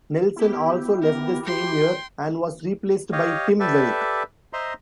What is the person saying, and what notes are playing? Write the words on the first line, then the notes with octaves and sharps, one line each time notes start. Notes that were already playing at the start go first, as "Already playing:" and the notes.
Nelson also left the same year, and was replaced by Tim Welch.
B3 E4 G4
B3 A#4
F#4 G5 C6
G4 C#5 D#5 F5
G4 A4 B4 D5 E5
C5 D#5 E5 A#5 C6